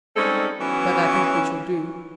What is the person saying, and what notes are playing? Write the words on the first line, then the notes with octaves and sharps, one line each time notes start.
But I think we shall do.
G3 G#3 C4 C#4 D#4 A4
E3 F#3 B3 C#4